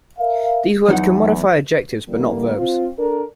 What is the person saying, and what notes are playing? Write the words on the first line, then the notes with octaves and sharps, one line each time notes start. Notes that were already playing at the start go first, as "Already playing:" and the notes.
These words can modify adjectives but not verbs.
A#4 E5 F5
E2 F#3 D#4 F#5
D3 E3 G3 A#3
C4 F4
D4 A4 A#4